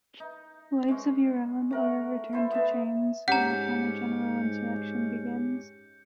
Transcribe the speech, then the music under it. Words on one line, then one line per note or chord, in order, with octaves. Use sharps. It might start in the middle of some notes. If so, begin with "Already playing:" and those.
Lives of your own, or a return to chains, whereupon a general insurrection begins.
D#4
G#3 C#4
A3 A#4 F#5
E4 A4 C5
B3 E5 A5
G#2 C#4 G4 F#5 A#5 G6 C#7